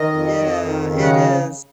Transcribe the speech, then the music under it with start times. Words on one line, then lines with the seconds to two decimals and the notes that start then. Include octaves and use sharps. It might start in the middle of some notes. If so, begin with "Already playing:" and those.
Yeah, it is.
Already playing: D#3 D#5
0.12 F2
0.38 F2
0.64 D#3
0.89 C#3
1.02 F#5